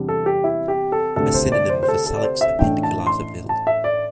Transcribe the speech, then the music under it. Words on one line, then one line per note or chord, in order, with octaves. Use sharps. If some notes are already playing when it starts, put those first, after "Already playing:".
A synonym for Salix appendiculata Vill.
Already playing: E2 C3 G3 D4
A4
G4
E4
G4
A4
D2 C3 A3 D4 A4
C5
D5
C5
C5
A4
A4
D5
C5
E5
A1 A2 A3 D4 G5
A5
C6
A5
E5
D5